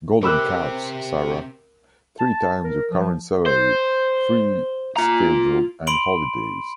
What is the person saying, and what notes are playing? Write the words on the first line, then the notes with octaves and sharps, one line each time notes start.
Golden cuffs, Sara. Three times your current salary, free schedule and holidays.
C3 G4 A#4 B5 D6 E6 F#6
A5
A#4
F3
C5
F4 A#5
B5 C6 D7 F#7